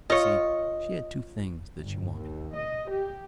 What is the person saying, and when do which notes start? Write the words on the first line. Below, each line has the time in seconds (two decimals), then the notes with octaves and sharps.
You see, she had two things that she wanted.
0.10 F4 C#5 D#5
1.81 G1
2.16 D#2
2.57 D#5
2.88 G4